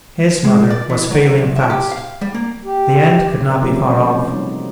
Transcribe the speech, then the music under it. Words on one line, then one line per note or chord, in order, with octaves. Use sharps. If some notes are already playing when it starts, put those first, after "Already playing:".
His mother was failing fast; the end could not be far off.
G#3
D5
E3
F#3
C2
E5
G4
F5
G3
A#3
G4
C4 C#4 A#4 D5
F3 A3 C#4 E4 F4
E3 G3 C4 B4 C#5 D5
C3 F3 A#3 A4 C5 D5
G3 D#4 F#4